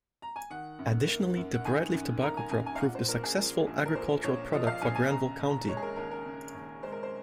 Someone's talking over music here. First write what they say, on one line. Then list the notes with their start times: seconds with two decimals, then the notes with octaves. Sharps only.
Additionally, the bright leaf tobacco crop proved a successful agricultural product for Granville County.
0.22 A#5
0.36 G#5
0.50 D#3 F#5
0.79 F#2
1.07 A#3
1.37 F#2
1.53 F#5
1.65 D#3 G#5
1.93 F#2
2.22 A#3 A#5
2.37 G#5
2.51 F#2 G#5
2.66 G#5
2.75 F5
2.80 A#2 F#5
2.95 C5
3.08 A#1 A#4
3.23 G#4
3.37 F3 A#4
3.67 A#1
3.86 A#4
3.95 A#2 C5
4.24 A#1 C#5
4.52 F3 D#5
4.67 F5
4.82 A#1 G#5
4.95 G#5
5.11 C#3 A#5
5.39 D#2
5.49 A#5
5.68 G#3 C#5
5.77 G#4
5.82 A#4
5.96 D#2 A#4
6.11 A#4
6.25 C#3
6.54 D#2
6.83 G#3 C5
6.92 A#4
7.03 C5